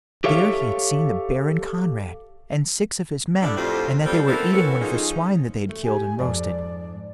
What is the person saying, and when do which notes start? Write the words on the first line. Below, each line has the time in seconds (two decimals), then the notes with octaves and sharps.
There he had seen the Baron Conrad and six of his men, and that they were eating one of the swine that they had killed and roasted.
0.24 G4 A4 C#5 E5 F5
3.42 A2 D3 G3 C4 D4 D5
3.56 F2 A2 F#3 F4 G4 C5
4.06 G3 C4 D4 F4 A4
4.27 B3 C4 E4 A4 A#4
4.53 A2 E3 C#4 F#4 A4
4.81 F3 G#3 A#3 C#4 D#4
5.69 A3
5.84 G4 G#5
6.19 F2 G#2 D5